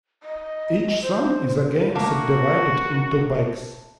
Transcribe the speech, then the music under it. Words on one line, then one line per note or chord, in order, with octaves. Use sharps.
Each sum is again subdivided into "bags".
D#5
C5
A3 A#3 F#4 F5